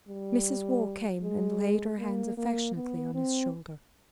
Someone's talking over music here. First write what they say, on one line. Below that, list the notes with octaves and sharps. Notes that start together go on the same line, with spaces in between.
Mrs. Waugh came and laid her hand affectionately on his shoulder.
G3
G#3
A#3
A#3
B3
C4